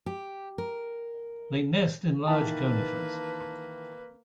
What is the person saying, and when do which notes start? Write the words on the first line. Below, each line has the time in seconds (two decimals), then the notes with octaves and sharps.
They nest in large conifers.
0.06 G4
0.58 A#4
2.27 D#3 E3 A#3 B4 A5